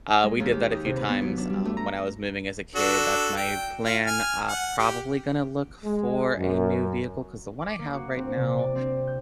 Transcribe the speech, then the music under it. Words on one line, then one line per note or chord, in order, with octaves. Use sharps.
Uh, we did that a few times, um, when I was moving as a kid. That's my plan. Uh, probably gonna look for a new vehicle 'cause the one I have right now,
G#3
D#2
G4
D#4
C3
B4
B3
F#3
D4
G3
A3
A#5
D4 F#4 A4
G5
F4
G#5 F6
F#5
G4
G#3
F#2
D6
A#3
F#4
C4
C3
D5
C4
G6